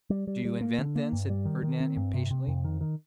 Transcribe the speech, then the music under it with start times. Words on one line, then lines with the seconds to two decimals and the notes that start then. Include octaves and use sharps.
"Do you invent, then," said Fernand impatiently.
0.10 G3
0.27 G3
0.45 G3
0.61 A#3
0.78 D3
0.96 A#3
1.13 G2
1.30 G3
1.45 D#3
1.63 D#3
1.80 C4
1.97 G2
2.14 C3
2.31 C3
2.48 F2
2.64 D#3
2.81 D#3